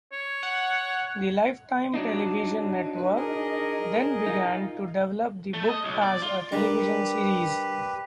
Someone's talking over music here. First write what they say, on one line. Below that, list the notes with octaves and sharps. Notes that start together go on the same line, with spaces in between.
The Lifetime Television network then began to develop the book as a television series.
C#5
F#5
F#3 D4 D#4
B4
G#4 A#4 D#5
D#4 F4
A3
D#5
B1
D5
F4
G3 D4 G4 A#4 B4